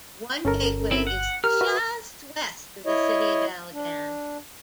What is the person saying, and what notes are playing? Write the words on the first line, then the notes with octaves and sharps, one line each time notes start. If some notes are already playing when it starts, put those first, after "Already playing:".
One gateway is just west of the city of Allegan.
G1 C#4 A4 A#4
C4 E4
F#5
G4 A#4 F6
F#4 B4 E5
E4 C#5 D#5
D4